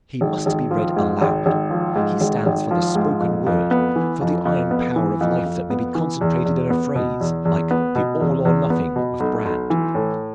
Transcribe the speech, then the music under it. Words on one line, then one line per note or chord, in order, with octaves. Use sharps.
He must be read aloud. He stands for the spoken word, for the iron power of life that may be concentrated in a phrase like the "All or nothing" of Brand.
G#1
G#1
F3
G#2
G#1
G#1
F3
G#2
G#1
G#1
F3
G#2
F2
F2
B3
E3
F2
F2
B3
E3
F2
F2
B3
E3
E2
E2
B3
B2
E2
E2
B3
B2
E2
E2
B3
B2
B1
B1
E3
A2